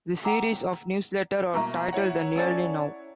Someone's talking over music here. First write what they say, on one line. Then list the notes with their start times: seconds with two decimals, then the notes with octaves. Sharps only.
This series of newsletters are titled "The Nearly Now".
0.24 F#5 G5 A#5 D6 E6
1.54 B2 A#3 E5 A#5 C#6
1.93 E4 C#5 F#5
2.36 C#4 A4 D5